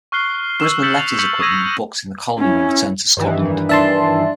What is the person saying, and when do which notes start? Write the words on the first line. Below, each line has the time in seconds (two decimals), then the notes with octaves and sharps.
Brisbane left his equipment and books in the colony when he returned to Scotland.
0.12 C#6 F6 F#6 C7 G7
0.61 C#6 E6 E7
0.82 E6 G6 A6 B6 C#7 F#7
0.99 F7
1.19 C#6 G6 B6 C#7 F7 F#7
1.40 C#6 D#6 E6 G#6 A#6 D#7
2.39 C#4 E4
3.17 G2 D#3 E3
3.69 D4 E5 A5 C6